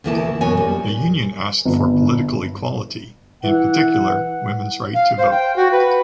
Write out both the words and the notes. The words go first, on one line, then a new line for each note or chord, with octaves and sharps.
The Union asked for political equality, in particular women’s right to vote.
D2 B2 E3 A#3 E4 A5
F#2 B2 B3 A#4 C#5 G#5
G3
G1
E3 F#5
F5
C5
G5
F#4
B4